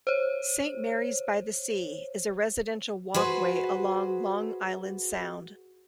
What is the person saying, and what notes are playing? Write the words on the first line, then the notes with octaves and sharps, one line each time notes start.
Saint Mary's by the Sea is a residential walkway along Long Island Sound.
C5 C#5
F#4 G#4 B4 C5